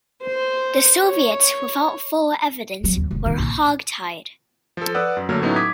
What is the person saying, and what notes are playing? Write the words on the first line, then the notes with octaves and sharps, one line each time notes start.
The Soviets, without full evidence, were "hog-tied".
C5
C#5
F#3
D#2
E1
D#3
A#1
F3 A4
B4 D5 F#5 D#6 E6
F#2
D3 F#3 A3 A#3 F6
A2 F#3 A3 B3 C#4 D#4
D6 D#6 G#6 B6